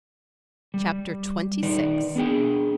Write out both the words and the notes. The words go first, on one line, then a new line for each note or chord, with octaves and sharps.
Chapter XXVI.
G3
D#3 D#4 B4 D5
B3 D4 G#4 G5